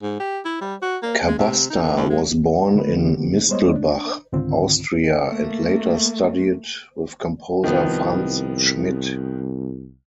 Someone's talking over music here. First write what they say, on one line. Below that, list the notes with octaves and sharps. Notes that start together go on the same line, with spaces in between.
Kabasta was born in Mistelbach, Austria and later studied with composer Franz Schmidt.
G#2
G4
E4
G3
F#4
A#3
G#3
C3
D#4
D3
D#2
G#3
D3 A3 B4
D3 A#3 B3 G4
G3 G#3 B3 C5 C#5 D#5
D4
C#2 G#2 D3 D#3 C4 F4
A3 A#3
C2 D#3 F3 B3